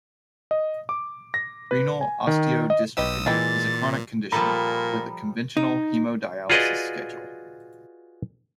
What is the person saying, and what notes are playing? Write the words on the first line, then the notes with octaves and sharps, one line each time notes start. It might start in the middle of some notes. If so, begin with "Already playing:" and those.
Renal osteodystrophy is a chronic condition with a conventional hemodialysis schedule.
D#5
D6
A#6
B4
G#5
D#3
D#5
B1 G4 B4 D#5 D#6 E6
A#2 E3 G#3 G5 B5 A6
A#2 F3 G3 A4 A#5 B5
D#4
F4 F#4 G#4 B4 D5 D#5